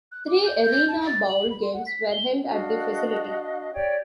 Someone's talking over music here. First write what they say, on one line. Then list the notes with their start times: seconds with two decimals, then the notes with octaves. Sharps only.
Three ArenaBowl games were held at the facility.
0.12 F#6
0.28 D6
0.46 G6
0.66 G6
0.88 A5
1.07 A6
1.29 F#7
1.51 B5
1.62 C6
1.73 F#5
1.87 B6
2.12 G7
2.48 D4 F#4 D#5 F5
3.73 G4 C#5 D5 G5